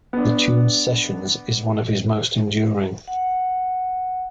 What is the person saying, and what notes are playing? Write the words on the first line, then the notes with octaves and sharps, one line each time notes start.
The tune "Sessions" is one of his most enduring.
B3 D4
F#5